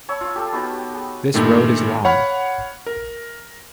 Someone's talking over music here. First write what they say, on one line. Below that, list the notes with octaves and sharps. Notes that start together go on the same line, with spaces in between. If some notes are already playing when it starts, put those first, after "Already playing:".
This road is long.
C#5 B5 C#6 E6
F4 C#6
G4 A4
B3 D#4 F#4 G4
G#4
G2 A#2 D#3 A3
C#5 F5 F#5 B5 C#6 F6
A#4